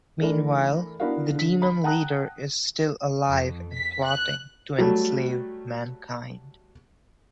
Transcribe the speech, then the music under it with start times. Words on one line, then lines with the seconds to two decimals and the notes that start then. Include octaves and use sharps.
Meanwhile, the Demon leader is still alive and plotting to enslave mankind.
0.21 E3 A3 D4 A4 A#4
1.00 B3 D4 E4 F#4 A#4 F5
1.35 D3 B6
1.62 B5
1.84 F#5 G5 A5 A#5 D#6 F#6
3.28 F2
3.74 B6
4.05 F#6
4.78 F#3 G3 A3